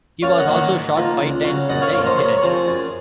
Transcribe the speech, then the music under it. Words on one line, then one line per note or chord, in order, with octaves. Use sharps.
He was also shot five times in the incident.
F#2 C#5 F5
D#5 F#5
D#3 F#3 A#3
D#5 F#5
G#2
F3 A#3 D#4
C#2
C#3 F#3
F#2 D#5 F#5
C#5 F5
F3 A#3 C#5 F5
C5 D#5
C3 A#4 C#5
C#5
F3 C4 G#4 C5
F#2